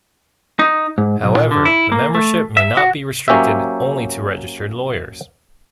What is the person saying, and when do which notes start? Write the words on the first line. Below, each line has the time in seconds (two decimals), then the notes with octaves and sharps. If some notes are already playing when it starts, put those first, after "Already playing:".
However, the membership may not be restricted only to registered lawyers.
0.59 D#4
0.98 G#2
1.23 B1
1.37 A#2
1.51 D3
1.65 E4
1.92 A#3
2.15 A3
2.57 E5
2.77 F#4
3.28 F#3 A#3 C#4 G4 C5 E5